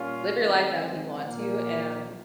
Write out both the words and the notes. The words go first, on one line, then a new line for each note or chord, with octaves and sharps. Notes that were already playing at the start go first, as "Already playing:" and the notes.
live your life as you want to and
Already playing: A#2 G3 A#3 C#4 F4
D#3 G#3 C4
A#2 F3 A#3